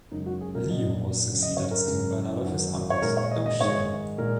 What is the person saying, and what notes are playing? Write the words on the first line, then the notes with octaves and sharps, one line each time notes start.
Leo was succeeded as king by another of his uncles, Oshin.
F#2 C#3 G#3 D#4
F#4
G#4
A#4
A#2 F#3 D#5
F#2 C#3 F#3
D#5
C#5
A#4
F#2 C#3 G#3
F#2 D#3 F#3
C#5
A#2 G#3 A#4
C#5
D#5
D#5
G#2 D#3 G#3 C#5
A#2 G#3 A#4